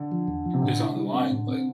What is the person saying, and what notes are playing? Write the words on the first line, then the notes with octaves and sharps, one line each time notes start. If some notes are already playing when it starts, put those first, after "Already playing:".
is on the line, like,
Already playing: D3
F3
E2
F3
C3
A2 D3
E4
G3
C4
A2
C4